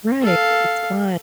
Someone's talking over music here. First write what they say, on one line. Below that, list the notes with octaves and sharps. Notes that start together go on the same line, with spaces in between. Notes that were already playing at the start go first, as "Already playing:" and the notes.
Right. It's fun.
A4 F5